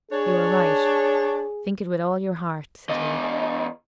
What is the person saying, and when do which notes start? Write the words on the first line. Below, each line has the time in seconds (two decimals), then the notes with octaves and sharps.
"You are right--think it with all your heart," said he.
0.11 D4 G#4 C#5
2.89 E2 D#5